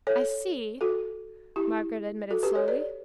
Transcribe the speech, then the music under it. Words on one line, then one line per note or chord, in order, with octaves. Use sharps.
"I see," Margaret admitted slowly.
A4 C#5
F#4 A4
E4 G4
F#4 A4
G4 B4
A4 C#5
B4 D5